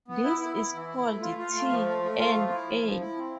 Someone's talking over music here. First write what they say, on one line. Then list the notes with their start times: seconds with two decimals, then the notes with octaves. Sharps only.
This is called T-N-A.
0.08 B3
0.24 E4
0.40 E4
0.57 E4
0.73 E3
0.89 E4
1.05 A3
1.22 F4
1.38 F4
1.54 A3
1.70 F3
1.86 A3
2.02 A3
2.18 F4
2.34 F3
2.51 E4
2.67 F3
2.83 F3
3.00 E4
3.16 C4